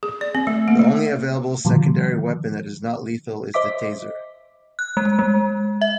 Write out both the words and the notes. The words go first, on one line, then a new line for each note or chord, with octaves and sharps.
The only available secondary weapon that is not lethal is the Taser.
G#4
D5
C4
A3
A#3
A3
A#2 D3 D#3 F3 G3
C5 D#5 E5 D6 B6
F#6
G#3
G#3
E5